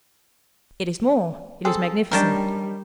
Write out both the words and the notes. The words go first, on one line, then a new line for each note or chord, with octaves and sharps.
"It is more--it is magnificent."
C4 G#4 A4
D#3 G3 C#4 D4 A#4 G5 A5